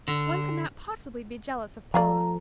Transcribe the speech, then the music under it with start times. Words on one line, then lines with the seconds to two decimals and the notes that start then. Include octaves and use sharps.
One could not possibly be jealous of Paula.
0.08 D3
1.94 F3 A4 D5 F5 G#5 A#5